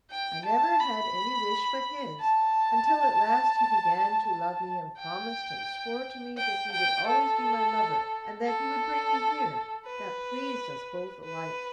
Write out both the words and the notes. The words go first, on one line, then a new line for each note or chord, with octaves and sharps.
I never had any wish but his, until at last he began to love me and promised and swore to me that he would always be my lover, and that he would bring me here; that pleased us both alike.
G5
A5
B5
A5
G5
G5
G5
A4
A4
B4
B4